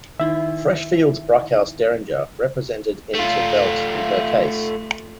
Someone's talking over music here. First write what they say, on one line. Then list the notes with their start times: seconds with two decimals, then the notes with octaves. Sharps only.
Freshfields Bruckhaus Deringer represented in 't Veld in her case.
0.20 D#3 D#4 E4 E5
3.15 A3 F4